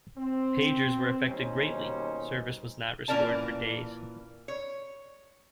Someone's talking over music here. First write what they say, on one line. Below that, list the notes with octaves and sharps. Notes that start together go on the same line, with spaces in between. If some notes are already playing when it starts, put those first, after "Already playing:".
Pagers were affected greatly; service was not restored for days.
C4
D#2 B2 G3 C#4 D#4 C5
A#2 E3 C#4 A#4 D5 A5
C#5